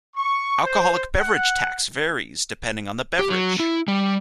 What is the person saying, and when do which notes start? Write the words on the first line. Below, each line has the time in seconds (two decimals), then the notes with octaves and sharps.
Alcoholic beverage tax varies depending on the beverage.
0.16 C#6
0.64 C5
1.18 F#5
3.19 G4
3.30 F#3
3.60 E4
3.88 G3